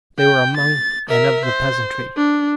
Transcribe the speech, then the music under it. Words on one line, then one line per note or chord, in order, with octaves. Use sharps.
They were among and of the peasantry.
G5
A6
A#4 E5
C5
D4